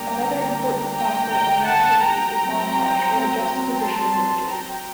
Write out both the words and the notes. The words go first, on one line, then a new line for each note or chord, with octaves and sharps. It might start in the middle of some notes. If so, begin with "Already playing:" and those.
Another important facet of narrativity is montage, or the juxtaposition of images.
Already playing: D3 G3 A#3 D4 G5 A#5
G5 A#5
G5 A#5
F#5 A5
G5 A#5
F#3 C4
A5 C6
G5 A#5